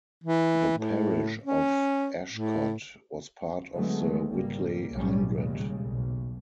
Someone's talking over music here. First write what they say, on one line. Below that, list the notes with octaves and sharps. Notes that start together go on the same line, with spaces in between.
The parish of Ashcott was part of the Whitley Hundred.
E3
A2
C#4
A2
D3 F#3 G#3 A3 B3
G#1 C#3 G3 A#3
B1 A2 G3 C#4
A#1 D#2 A#2 C#3 G3 G#3
B1